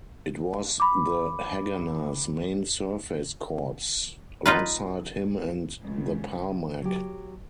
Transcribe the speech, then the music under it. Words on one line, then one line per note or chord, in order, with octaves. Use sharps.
It was the Haganah's main surface corps, alongside Him and the Palmach.
B5 D6
D#4 F4 B4
C#2 F#2
F#3 G4